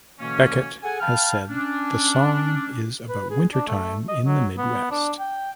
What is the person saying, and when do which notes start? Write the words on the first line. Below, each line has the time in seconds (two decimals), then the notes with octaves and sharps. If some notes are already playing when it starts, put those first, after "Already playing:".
Beckett has said the song is about winter time in the Midwest.
0.19 B2 D3 E3 A#3 C#4
0.83 G#4 A4 F#5 G#5
1.01 F5 G5 A5 B5 F6
1.50 C#4 D4
3.09 B4
3.30 G#4
3.54 D4
3.68 A3
4.08 D#5
4.26 F#3
4.58 B3
4.91 D4
5.20 G5